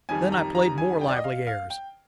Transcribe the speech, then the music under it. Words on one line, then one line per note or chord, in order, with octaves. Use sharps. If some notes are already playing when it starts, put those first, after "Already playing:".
Then I played more lively airs.
F2 D#3 G3 G#5
A#5
A#5
G#5
G5
D5
D#5
F5
F5
G5